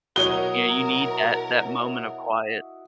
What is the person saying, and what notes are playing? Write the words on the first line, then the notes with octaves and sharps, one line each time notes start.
You know, you need that that moment of quiet.
B2 F#3 E4 F#4 A#4 C#5 D#5 G7